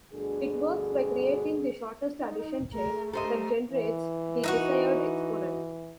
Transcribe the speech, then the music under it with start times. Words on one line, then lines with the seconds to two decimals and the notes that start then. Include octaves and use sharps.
It works by creating the shortest addition chain that generates the desired exponent.
0.13 D2 G2 B2 D3 G#4
2.21 D#4
2.74 A3 G#4 A#4
3.13 G4 A4 A#4 C5 D#5
3.73 E3
4.44 D#4 E4 F#4